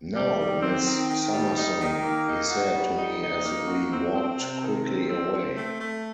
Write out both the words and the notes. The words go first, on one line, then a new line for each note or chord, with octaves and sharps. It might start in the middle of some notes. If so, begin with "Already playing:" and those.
"Now, Miss Summerson," he said to me as we walked quickly away.
G3
D#3
C4
D#3
D#3
G3
D#4
D#3
A#3
D#4
F#4
G3
D#4
D#4
A#3
F#4
C4
C4
C3
D#3
C4
C4
C4
A3
A3